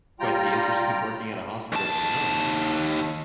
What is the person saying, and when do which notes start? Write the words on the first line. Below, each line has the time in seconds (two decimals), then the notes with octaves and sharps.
quite the interesting working at a hospital, from home.
0.20 G3 F4 G5 A#5
1.73 D#2 A5